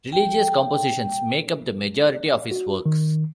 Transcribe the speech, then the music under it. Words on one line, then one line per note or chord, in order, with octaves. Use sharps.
Religious compositions make up the majority of his works.
G5
F#4
D#3